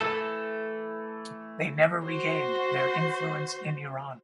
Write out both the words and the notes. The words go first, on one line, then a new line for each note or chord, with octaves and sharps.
They never regained their influence in Iran.
E3 A3 A4
F#4 C5